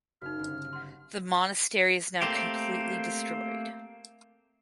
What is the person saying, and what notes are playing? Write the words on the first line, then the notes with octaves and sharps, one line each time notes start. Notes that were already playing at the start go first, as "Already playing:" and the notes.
The monastery is now completely destroyed.
F#1 D#4 F#4 F6
G1
F#5 C6
A3 A#3 C4 G4